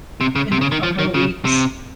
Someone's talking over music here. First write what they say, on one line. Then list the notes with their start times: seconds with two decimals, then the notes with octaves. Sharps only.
in a couple of weeks.
0.21 C3
0.35 C#3
0.52 C3
0.61 C#3
0.72 D#3
0.83 F3
0.99 D#3
1.14 C#3
1.45 C3